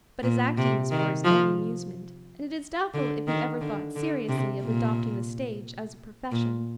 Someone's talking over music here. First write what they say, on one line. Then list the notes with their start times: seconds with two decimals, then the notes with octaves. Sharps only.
But his acting was for his own amusement, and it is doubtful if he ever thought seriously of adopting the stage as a profession.
0.23 A#2
0.57 C3
0.91 D#3
1.24 F3
2.94 D3
3.27 D#3
3.61 D3
3.96 D3
4.29 C3
4.62 A#2
6.32 A#2